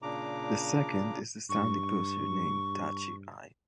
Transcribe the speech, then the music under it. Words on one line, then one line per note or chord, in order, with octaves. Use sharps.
The second is the standing posture named "tachi-ai".
A#2 C#3 D4 A#5 D6
G2 C#6